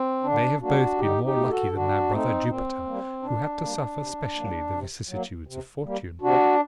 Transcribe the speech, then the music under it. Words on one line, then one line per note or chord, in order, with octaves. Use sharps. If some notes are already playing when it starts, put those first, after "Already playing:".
They have both been more lucky than their brother Jupiter, who had to suffer specially the vicissitudes of fortune.
Already playing: C4
D3 D4
G3 A#3 D4 F#4
D3 D#4 G4
D#4 G4
A3
F#4 A4
D3 D4 F#4
A3 C4 D#4
A#2 C4
G3 A#3
A#2 D4
G3 A#3
C3
F#3 A#3
C3
F#3 A#3
C3
G3 A#3
C3 D4 F#4